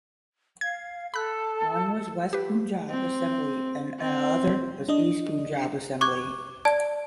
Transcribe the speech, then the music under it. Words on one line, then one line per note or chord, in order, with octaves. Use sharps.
One was West Punjab Assembly and other was East Punjab Assembly.
F5 G#6
A4 B5 F#6
G4 B4
C4
C4
D4 D#5
C#6 D6 F#6 G#6
D5 A5 G#6